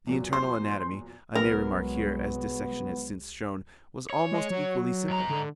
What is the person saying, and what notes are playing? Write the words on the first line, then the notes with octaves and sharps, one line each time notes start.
The internal anatomy, I may remark here, as dissection has since shown, was almost equally simple.
E2 A#2 F#3
C5 C6
C2 F#3 G#3 B3 A#4
C#5
G#3
F#3
G#2 A#5
D3